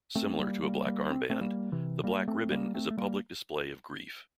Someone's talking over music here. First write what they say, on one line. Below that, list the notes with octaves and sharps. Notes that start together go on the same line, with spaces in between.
Similar to a black armband, the black ribbon is a public display of grief.
A3 C4
G3 A#3
G3 A#3
G3 A#3
C4
A3 C4
G3 A#3
C3 E3
G3 A#3
A3 C4
G3 A#3
A3 C4
A3
G3 A#3